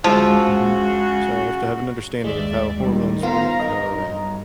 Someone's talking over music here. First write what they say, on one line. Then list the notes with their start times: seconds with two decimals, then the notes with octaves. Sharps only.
Mhm, so, I have to have an understanding of how hormones work, of how, uh,
0.04 D2 C#3 F3 G#3 F#4 E6
2.24 D#2 G#3 D5 E5
2.74 A2 D#3 G3
3.23 D#3 B3 F4 C5 F5 A#5
3.60 D#4 A#4 D#5 A#5
3.97 B1 G2